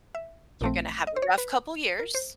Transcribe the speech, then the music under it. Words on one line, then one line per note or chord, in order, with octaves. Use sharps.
you're gonna have a rough couple of years"
E5
A#1 A#2 F3 A3 C4
D#5
C5
C#5
B4
A#4
C5